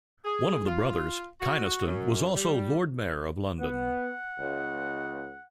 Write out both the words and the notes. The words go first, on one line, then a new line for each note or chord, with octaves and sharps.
One of the brothers, Kynaston was also Lord Mayor of London.
G#4
F4
F#4
F#2
G3
B3 F#5
C#2